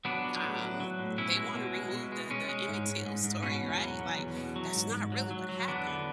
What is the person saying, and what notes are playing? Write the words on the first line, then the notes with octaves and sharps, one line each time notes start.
um, they wanna remove the the Emmett Till story, right? Like, "That's not really what happened."
F#3 B3 D4
F#3
A2
F#3
F#3
A2
B2 C#4 E4
G#3
B2
G#3
B2
G#3
G#3 C#4
G#3
G#2
G#2
G#2
G#2
B2 C#4
E2
F#3
B2
E2
B2
F#3
G#2
G#2
F#3
F#3
F#3
E2 B3 D4
D3